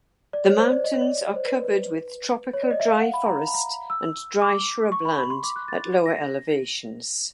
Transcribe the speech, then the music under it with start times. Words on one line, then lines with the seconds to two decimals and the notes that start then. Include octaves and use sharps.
The mountains are covered with tropical dry forest and dry shrubland at lower elevations.
0.33 D5
0.45 C#5
0.58 C5
0.71 D5
0.84 D#5
0.94 C#5
1.01 D5
1.36 C5
1.45 B4
1.64 B4
2.54 C#5
2.62 D5
2.71 D#5
2.80 E5
2.88 F5
3.01 F#5
3.14 B5
3.26 A#5
3.39 A#5
3.47 B5
3.54 A#5
3.90 E6
4.42 D6
4.92 C#6
5.05 B5
5.17 B5
5.30 C6
5.43 D6
5.56 F#6
5.68 A6
6.06 A#6